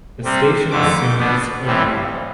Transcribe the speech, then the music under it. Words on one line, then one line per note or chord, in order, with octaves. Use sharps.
The station serves Omaha.
C3 G3 C4
F2 D3 A3 D6
B2 B3 D4
A2 E3 G3 C4